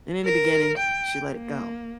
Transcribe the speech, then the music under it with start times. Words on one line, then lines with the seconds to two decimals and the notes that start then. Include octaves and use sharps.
and in the beginning, sh she let it go,
0.24 A#4
0.78 G5
1.33 A#3